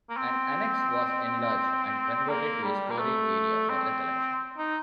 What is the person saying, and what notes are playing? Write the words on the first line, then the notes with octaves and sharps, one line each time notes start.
An annex was enlarged and converted to a storage area for the collection.
A#3
C4
A#3
G3
A#3
A3
C4
D#4